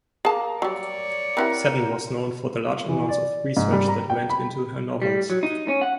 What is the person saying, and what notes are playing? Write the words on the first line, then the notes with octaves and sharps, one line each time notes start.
Seton was known for the large amounts of research that went into her novels.
A#3 G#4 A5 A#5
F#3 G3 C#5 D5
C4 E4 G4 A#4 F#5
E3
D5
G#2
G3
A#5
G5
B5
G3
F#3
D#4
C#4
F#5